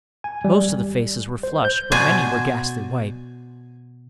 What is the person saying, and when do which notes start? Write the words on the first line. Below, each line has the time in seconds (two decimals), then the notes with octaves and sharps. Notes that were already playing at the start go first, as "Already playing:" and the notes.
Most of the faces were flushed, but many were ghastly white.
0.24 G#5
0.44 G3
0.69 G#1
1.43 C5
1.65 G6
1.92 B2 F#4 C5 D5 G#5